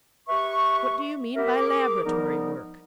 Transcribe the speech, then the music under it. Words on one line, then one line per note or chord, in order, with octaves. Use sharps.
"What do you mean by Laboratory Work?"
G4 B4 E5 C#6
B3 G4 A#4 E5
G#4 A#4 D6
F3 G3 B3 D#4 A#4